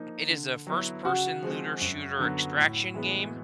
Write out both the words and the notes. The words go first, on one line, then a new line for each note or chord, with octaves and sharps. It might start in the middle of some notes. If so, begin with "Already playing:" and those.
It is a first-person looter shooter extraction game
Already playing: F3 A#3 D#4
D3
F#3 B3 E4
C#3 F#4
F3 G#3 C4
F#2
D3 F#3 B3
A2
E3 G#3 B3